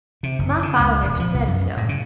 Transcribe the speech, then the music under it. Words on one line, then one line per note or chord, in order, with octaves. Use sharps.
My father said so.
C3
F#1
D3
C#2
D#1
F3
C2
F#2
A2
C#3